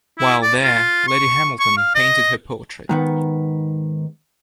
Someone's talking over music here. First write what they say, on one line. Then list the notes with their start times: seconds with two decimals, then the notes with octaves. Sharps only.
While there, Lady Hamilton painted her portrait.
0.19 E4
0.43 D5
0.61 F4
1.07 C#6
1.59 C#6
1.77 F5
1.95 D#5
2.89 G#2 D#3 B3